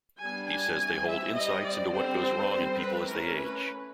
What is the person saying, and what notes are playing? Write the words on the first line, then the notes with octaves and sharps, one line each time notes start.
He says they hold insights into what goes wrong in people as they age.
G3 B3 D4 G#5
G#5
E3 G3 C4
E5
G3 C4 D#5
D5
D3 G3 C4 C5
G3 C4
B4
E3 A3 C#4 A#4
B4